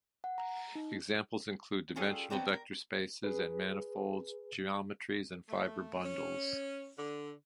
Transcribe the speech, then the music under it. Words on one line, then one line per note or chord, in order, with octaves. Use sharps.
Examples include -dimensional vector spaces and manifolds, geometries and fibre bundles.
F#5
A#5
D#4
G3 C#4 F4 G#4 A4
F#3 B3 C4 D4
A#4
G#4 B4
A3
C#4
D3